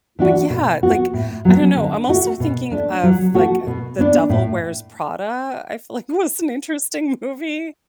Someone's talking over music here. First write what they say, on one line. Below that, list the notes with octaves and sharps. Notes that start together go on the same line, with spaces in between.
but yeah, like, I don't know I'm also thinking of, like, eh The Devil Wears Prada, I feel like was an interesting movie.
E3 D4 F#4
B2
B3 F#4
A2
F#3 B3
D3
A3 F#4
B2
A3 D4
F#3
A3 F#4
B2
B3 D4
A2